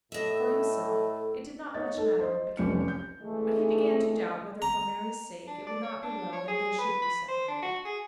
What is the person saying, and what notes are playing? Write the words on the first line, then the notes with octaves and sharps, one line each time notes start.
For himself it did not much matter what became of him; but he began to doubt whether for Mary's sake it would not be well that they should be separated.
A2 A4 D#5 E5
D#4 C#5 D#5 A6
A4
C5 D#5
F1 C2 C#4 G4 C#7
G6
C#3 E3 G#3 A3
A#5
D4
D5
C#5
D4
C#5
G#4
B4
B5
C5
D4
F#4
G#4